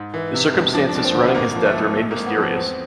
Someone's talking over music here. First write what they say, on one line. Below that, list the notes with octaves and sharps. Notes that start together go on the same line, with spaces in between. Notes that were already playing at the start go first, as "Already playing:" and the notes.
The circumstances surrounding his death remain mysterious.
Already playing: G#2
E3
C3
E1
F3 D4
D4
D#2
C4
D3 B3
G#1 A#3
F3
A3
G#1
G#1 A3
A#3
G#1
B3
F3
C4
E2